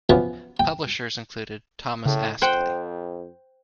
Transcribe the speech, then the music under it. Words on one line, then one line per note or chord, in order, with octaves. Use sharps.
Publishers included Thomas Astley.
E3 F3 B3 C#4
G5
A2 C#3
F2 C5 F#5 G5